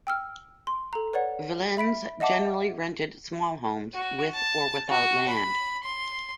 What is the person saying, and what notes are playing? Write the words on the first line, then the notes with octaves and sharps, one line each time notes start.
Villeins generally rented small homes, with or without land.
G5 E6 F6
C6
A4 A#5
B4 C#5 D5 F#5
E5 B5 B6 D7
D#5 E5 F#5 A5 D6
F#4
A5
F#4
B5
C6